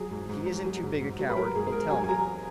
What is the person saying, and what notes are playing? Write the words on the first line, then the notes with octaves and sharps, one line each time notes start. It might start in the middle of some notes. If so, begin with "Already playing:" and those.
If he isn't too big a coward, he'll tell me.
Already playing: F#3 G#4
G#2
G#2
F#3
F#3
G#2
G#2
F#3
B4
F#3 A#4
G#2 G#4
G#4
G#2 A#4
F#3 G#5
G#5
F#3 A#5